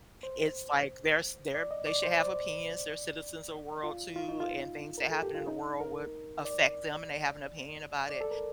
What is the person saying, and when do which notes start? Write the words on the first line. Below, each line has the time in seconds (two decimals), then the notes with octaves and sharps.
it's like there's there they should have opinions, they're citizens of world too, and things that happen in the world would affect them, and they have an opinion about it,
0.23 C5
1.54 D5
1.71 D#5
1.87 D5
2.03 C5
2.19 D5
3.84 F4
4.16 F4
4.28 D#4
4.40 F4
4.98 A#4
5.10 A4
5.23 G4
5.35 F4
5.48 D#4
5.80 A#4
6.45 D5
8.09 D5
8.21 A4
8.31 A#4